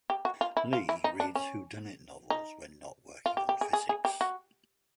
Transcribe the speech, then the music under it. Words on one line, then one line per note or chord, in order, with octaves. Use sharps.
Lee reads whodunit novels when not working on physics.
G4
F#4
F4
E4
F4
E4
D#4
D4
C#4
D#4
F4
G4
G4
G#4
G#4
G#4
G4
F#4